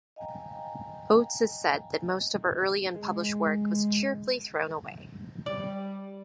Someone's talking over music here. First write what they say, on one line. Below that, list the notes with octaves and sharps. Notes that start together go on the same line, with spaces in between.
Oates has said that most of her early unpublished work was "cheerfully thrown away".
D#5 F5 G5 G#5 A#5
G#3
G3 D5